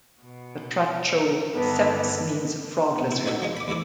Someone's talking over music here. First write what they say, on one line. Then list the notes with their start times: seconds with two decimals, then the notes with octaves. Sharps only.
Batracho-seps means frog-lizard.
0.22 B2
1.54 G2 D3 D#3 B3 B4
2.98 B3
3.12 E4
3.26 D#4 F#4 A4
3.42 F3 G#3
3.57 B5 D6
3.68 D#2 E3 A3 E4 D6